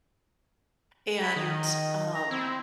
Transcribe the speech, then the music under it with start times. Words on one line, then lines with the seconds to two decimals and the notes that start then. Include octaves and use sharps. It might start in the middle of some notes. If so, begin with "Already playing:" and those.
and, um,
1.22 B5
1.36 D#3 D#5
2.15 A#5
2.31 C4 E4